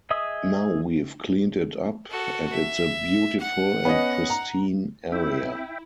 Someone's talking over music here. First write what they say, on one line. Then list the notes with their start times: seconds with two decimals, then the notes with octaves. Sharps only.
Now we've cleaned it up, and it's a beautiful and pristine area.
0.10 G#4 D#5 E5 D#6 E6
2.10 F#4 A4
2.52 E5
3.40 F#5
3.85 B3 C#4 D#5
4.30 A#5
5.12 C4 E4 E5 G5